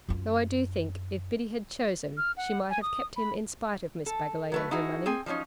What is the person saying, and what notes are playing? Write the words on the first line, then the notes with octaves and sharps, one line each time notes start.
Though I do think if Biddy had chosen she might have kept him in spite of Miss Bagalay and her money.
F#2 F4
F6
F#5
G#5
D#6
B5
A4
F#3 A3 B4
D#4 E4 F#4 G#4
C4 G#4 G5 G#5
F3 F#3 A#3 C#4 D#4